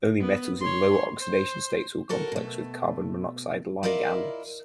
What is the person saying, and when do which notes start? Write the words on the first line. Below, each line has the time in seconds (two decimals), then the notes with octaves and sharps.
Only metals in lower oxidation states will complex with carbon monoxide ligands.
0.20 B3
0.61 C#5 C6
1.20 C5
2.09 F#4 A4 A#4 C#5
2.32 B2 A3
3.83 E4 F4 A#4 D5 D#5 F5